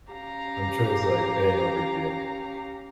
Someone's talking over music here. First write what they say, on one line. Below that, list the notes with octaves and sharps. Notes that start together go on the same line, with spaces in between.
I'm sure he's like, "It ain't no big deal."
C#4 G4 F5 A#5